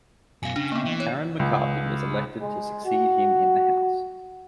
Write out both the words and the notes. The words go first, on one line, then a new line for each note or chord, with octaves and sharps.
Karen McCarthy was elected to succeed him in the House.
F#2 B2 F5 G#5
C#3 D4
A#3 B3
E3
C#5
C#2
G#3
F#4